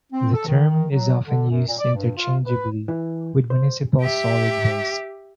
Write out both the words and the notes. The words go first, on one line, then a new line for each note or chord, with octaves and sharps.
The term is often used interchangeably with municipal solid waste.
C4
A4
D#3
F#3
D3
F#2
A#2
D5
G2
F4
B4
E3
C5
G4 E5